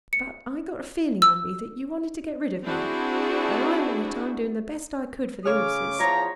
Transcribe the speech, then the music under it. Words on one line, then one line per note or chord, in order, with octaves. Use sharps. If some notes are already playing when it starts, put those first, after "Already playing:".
But I got a feeling on me that you wanted to get rid of me, and I all the time doing the best I could for the 'orses.
C#7
E6
C4 D4 E4 F#4 G#4
C#3 C#5 D6 F6
E2 F3 C#5 A#5